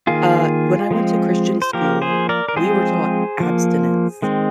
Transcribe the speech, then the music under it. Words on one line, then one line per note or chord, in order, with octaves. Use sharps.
uh, when I went to Christian school, we were taught abstinence,
D#3 A#3 F4 G#4
F3 G#3 C4
C5
F3 A#3 G4 A#4
G#4 C5
A#4 D5
A#4
F3 G#3 C4 G#4 C5
F3 A#3
D#3 G#3 C4